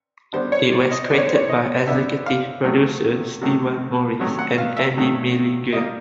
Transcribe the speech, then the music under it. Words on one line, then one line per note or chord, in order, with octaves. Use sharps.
It was created by Executive Producer Stewart Morris and Andy Milligan.
D3 G3 B3 C5
C#5
D5
D#5
D3 G3 B3 D5
C#5
C5
C#5
D#5
D3 G3 B3 E5
F5
C3 D#3 F#3 A3
C3 D#3 F#3 A3
C3 D#3 F#3 A3
F#5
F5
E5
C3 D#3 F#3 A3
A#2 G3 A#3 D#5